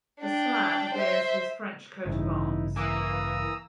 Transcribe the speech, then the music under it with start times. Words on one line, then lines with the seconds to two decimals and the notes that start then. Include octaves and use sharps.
The slab bears his French coat of arms.
0.21 D4 G5
0.94 C5 E5
2.05 A1 G2 C#3 E3 D#4 E4
2.76 E3 A#3 A#5 D#6 E6